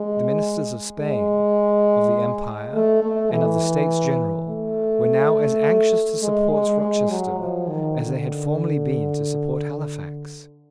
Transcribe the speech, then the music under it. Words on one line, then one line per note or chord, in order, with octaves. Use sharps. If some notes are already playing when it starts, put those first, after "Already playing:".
The ministers of Spain, of the Empire, and of the States General were now as anxious to support Rochester as they had formerly been to support Halifax.
Already playing: G#3
G#3
A3
A3
E3
A3
G#3
G#3
G#3
F#3
F3
D#3
D3